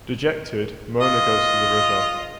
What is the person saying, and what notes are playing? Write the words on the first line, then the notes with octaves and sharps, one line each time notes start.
Dejected, Mona goes to the river.
F4 D#5